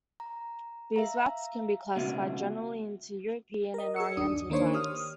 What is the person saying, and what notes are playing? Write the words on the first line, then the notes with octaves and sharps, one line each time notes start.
Beeswax can be classified generally into European and Oriental types.
A#5
E5 F5 A#5
C#2 B2 F#4 E5 F#5
A#4 D#5
G#4 E6 C#7
G1 D#2 D4 D#6
D#3 A#3 D4 C5 C#5
G4 D#6 F6